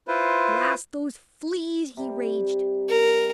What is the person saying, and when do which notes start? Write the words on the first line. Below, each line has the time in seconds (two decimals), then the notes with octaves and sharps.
"Blast those fleas!" he raged.
0.08 E4 F4 B4 C5
1.97 C3 G3
2.89 A#4